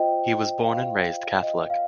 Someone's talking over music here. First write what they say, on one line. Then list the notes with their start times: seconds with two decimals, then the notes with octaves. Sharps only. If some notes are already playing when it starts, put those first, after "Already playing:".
He was born and raised Catholic.
Already playing: F4 C5 D#5 G5
0.61 F5
1.43 D#5
1.70 F5